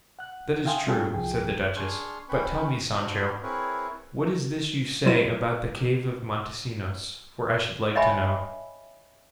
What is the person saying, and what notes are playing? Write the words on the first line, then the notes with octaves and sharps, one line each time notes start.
"That is true," said the duchess; "but tell me, Sancho, what is this you say about the cave of Montesinos, for I should like to know."
F#5 F#6
E5 F5 G5 G#5 C6 D#6
G3 C#4 F4 G#4 A4 G5
C2 F3 G#4 G5
D4 G#4 C6 C#6 F6
C#4 B4 G5 B5 C#6
B3 D4 F#4 C5 B5
C4 E4 G#4 A#4 B4 C#5
F#3 E4 D#7
C#5 D#5 E5 G5 G#5 B5